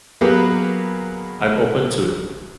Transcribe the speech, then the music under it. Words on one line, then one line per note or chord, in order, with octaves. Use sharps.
I'm open to it.
F#3 A#3 B3 G4 G#4 B4